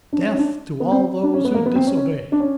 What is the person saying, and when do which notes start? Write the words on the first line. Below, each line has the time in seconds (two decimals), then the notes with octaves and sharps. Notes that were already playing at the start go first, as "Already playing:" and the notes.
Death to all those who disobey.'
0.12 D4
0.18 C#4
0.28 C#4
0.33 D#4
0.38 D4
0.80 B3
0.92 C4
1.23 D4
1.34 C#4
1.44 B3
1.54 A#3
1.66 B3
1.75 C4
1.87 C#4
1.97 C#4
2.32 D4
2.40 C#4